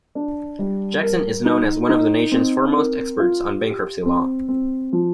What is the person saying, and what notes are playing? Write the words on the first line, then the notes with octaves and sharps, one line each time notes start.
Jackson is known as one of the nation's foremost experts on bankruptcy law.
D4
G3
A#4
D#4
D#4
C4
A#4
F4
G4
C4
C4
F3